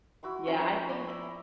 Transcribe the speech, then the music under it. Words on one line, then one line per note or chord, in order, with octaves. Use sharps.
Yeah, I think,
E4 F#4 B5 C6
F3 C#4 A#5
D5 A#5 B5
E4 E5